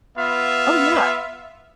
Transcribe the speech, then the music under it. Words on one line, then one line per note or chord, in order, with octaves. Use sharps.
Oh, yeah.
B3 F4 E5